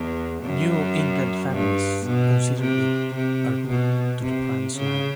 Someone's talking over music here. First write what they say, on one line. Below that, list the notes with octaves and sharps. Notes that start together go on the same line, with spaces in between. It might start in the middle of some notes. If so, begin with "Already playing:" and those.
New England families considered it a route to the "promised land".
Already playing: E2
F#2
G2
B2
C3
C3
B2
C3
C#3